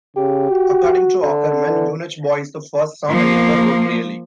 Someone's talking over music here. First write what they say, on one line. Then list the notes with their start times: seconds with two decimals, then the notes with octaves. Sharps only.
According to Aukerman: Eunuch Boy' is the first song I ever wrote, really.
0.17 C#3 G4
0.50 F#4
1.23 D3
1.66 E3
3.09 F3 A#3